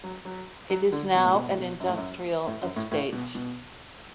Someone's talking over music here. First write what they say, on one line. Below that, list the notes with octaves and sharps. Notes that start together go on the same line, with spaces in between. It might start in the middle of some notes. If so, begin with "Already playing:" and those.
It is now an industrial estate.
F#3
F#3
F#3
D3
B2
A2
B2
A2
B2
F#2
A2
F#2
A2
F#2
A2
A2
B2
B2